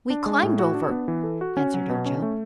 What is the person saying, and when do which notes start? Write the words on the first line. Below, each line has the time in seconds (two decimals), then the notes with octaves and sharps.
"We climbed over," answered Ojo.
0.10 D4
0.26 G#3
0.43 A2
0.59 F#4
0.75 D4
0.91 B3
1.08 E3
1.24 A4
1.41 F#4
1.57 C#4
1.74 F#3
1.89 B2
2.06 C#4
2.22 A3